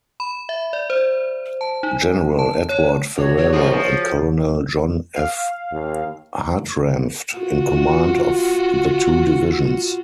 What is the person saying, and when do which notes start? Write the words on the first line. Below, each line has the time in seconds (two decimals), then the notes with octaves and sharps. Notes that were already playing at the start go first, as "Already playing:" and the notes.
General Edward Ferrero and Colonel John F. Hartranft in command of the two divisions.
0.20 B5
0.49 E5
0.73 D5
0.90 C5
1.61 A5
1.83 D#4
2.39 A5
2.69 C#5
3.18 F#3 D4 F#4 C#5
3.37 C#5
3.53 G#2 F3 G#4 C5
3.72 F3
5.16 F5
5.72 D#2
7.37 F4 F#4